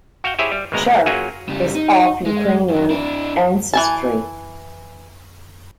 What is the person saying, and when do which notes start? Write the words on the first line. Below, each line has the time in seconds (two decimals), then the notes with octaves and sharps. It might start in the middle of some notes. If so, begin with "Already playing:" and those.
"Chub" is of Ukrainian ancestry.
0.24 F#4 F5 G5
0.39 E4 G4 G#4 C5 C#5 E5
0.52 G3
0.72 G#1 D2 B2 G#3 A#5
0.85 C#2
1.06 F#3 A#3 C#4 F4 F#4 G#4
1.49 C#3 G3
1.75 D#4
2.26 G#3
2.69 G2 F#3
2.90 D4 E4
3.73 E3 G#5 A5